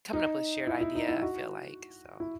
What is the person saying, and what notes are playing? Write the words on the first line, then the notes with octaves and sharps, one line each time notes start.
coming up with a shared idea, I feel like, so
D#4
E4
E4
D#4
E4
F#4
E4